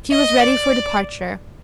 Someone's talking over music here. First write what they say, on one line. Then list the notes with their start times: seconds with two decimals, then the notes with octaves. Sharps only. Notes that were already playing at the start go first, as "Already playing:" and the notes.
She was ready for departure.
0.11 D#5
0.40 D5